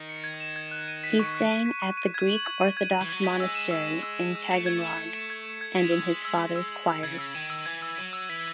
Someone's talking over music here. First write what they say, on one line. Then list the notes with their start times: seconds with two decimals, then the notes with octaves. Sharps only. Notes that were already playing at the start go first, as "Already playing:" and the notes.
He sang at the Greek Orthodox monastery in Taganrog and in his father's choirs.
Already playing: D#3
0.09 C#7
0.24 G#6
0.40 E7
0.56 G#6
0.71 F#6
0.88 D#7
1.04 B6
1.19 C#6
1.35 F#6
1.51 D#7
1.66 B6
1.82 C#6
1.97 D#7
2.14 G#6
2.30 F#7
2.45 G#6
2.61 D#7
2.77 G#6
2.92 F#7
3.01 E3
3.09 F#3 G#6
3.24 G#3 B6
3.40 E6
3.55 E7
3.71 E6
3.88 B6
4.03 E6
4.19 E7
4.35 E6
4.51 A3 C#7
4.66 G#6
4.82 E7
4.97 G#6
5.13 C#7
5.30 G#6
5.46 E7
5.61 G#6
5.76 G#3 B6
5.92 E6
6.08 F#7
6.25 E6
6.39 B6
6.56 E6
6.72 F#7
6.87 E6
7.03 C#3 G#6
7.18 E6
7.35 D#3 D#7
7.50 E6
7.66 E3 G#6
7.82 E6
7.97 F#3 D#7
8.13 E6
8.29 E3 B6